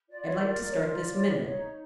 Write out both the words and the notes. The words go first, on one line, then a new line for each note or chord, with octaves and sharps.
I'd like to start this minute.
F4 D5
C#5
D5
A#4
C#5
F4 D5
C#5
D#4 C#5